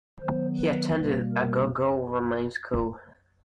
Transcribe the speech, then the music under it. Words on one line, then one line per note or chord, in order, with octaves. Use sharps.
He attended Agogo Roman School.
D#3 F#3 B3 C5
B4
B2 G3 A#3 B4
A#4